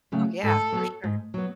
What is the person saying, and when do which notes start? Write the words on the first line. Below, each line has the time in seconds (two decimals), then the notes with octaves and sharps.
Oh, yeah, for sure.
0.12 C#3 F#3 A3
0.43 G#2 A4
0.72 F#3 B3
1.04 G#2
1.34 F#3 B3